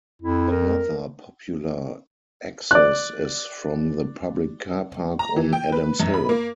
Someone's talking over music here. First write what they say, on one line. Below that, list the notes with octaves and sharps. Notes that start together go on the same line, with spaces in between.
Another popular access is from the public car park on Adams Hill.
F2 E4
A#4
D5 F#6
A#5
E3
G5
B4
F#2
B5
A#3